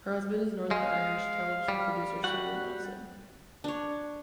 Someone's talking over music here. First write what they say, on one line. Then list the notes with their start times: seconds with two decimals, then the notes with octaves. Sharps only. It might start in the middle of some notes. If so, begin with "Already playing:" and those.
Her husband is Northern Irish television producer Simon Nelson.
0.71 G#3 F5
1.69 G3
2.24 G3 F#4 F#5
3.64 D4 C#5